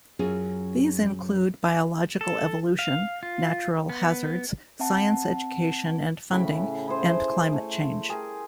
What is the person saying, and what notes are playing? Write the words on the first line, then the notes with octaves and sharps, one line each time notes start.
These include biological evolution, natural hazards, science education and funding, and climate change.
F#2 F#3 C#4 F4 G#4
A4
F5
F4
B3
C4 E5 F#5 A5
A2 C#3 B5
E4 G#4 C5
A3
G4 G#4 A#4